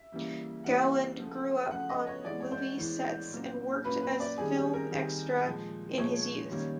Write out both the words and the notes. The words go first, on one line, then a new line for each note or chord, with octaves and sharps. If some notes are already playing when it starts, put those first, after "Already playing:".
Gowland grew up on movie sets and worked as film extra in his youth.
Already playing: E5
C#3 E3 G3 A#3
C#3 E3 G3 A#3 F#5
C#3 F3 A3
C#3 F3 A3 F#5
D#5
C#5
A2 E3 G#3 B3 D5
C#5
C5
A2 E3 G#3 B3
A#2 F#3 A#3 C#4
A#2 F#3 A#3 C#4 B4
B4
D5
D#3 G3 C4 G#4
G4
A#4
D#3 G3 C4
A#2 F3 G#3
A#2 F3 G#3 C#5
D#3 G3 A#3 C#4